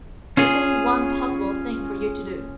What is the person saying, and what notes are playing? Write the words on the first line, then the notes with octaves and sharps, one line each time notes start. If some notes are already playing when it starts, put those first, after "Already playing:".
There's only one possible thing for you to do.
C#4 F4 G#4